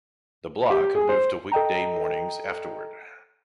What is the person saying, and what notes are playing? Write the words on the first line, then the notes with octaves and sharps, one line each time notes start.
The block moved to weekday mornings afterward.
G4
G#4
C5
A4 D#5 G5 A#5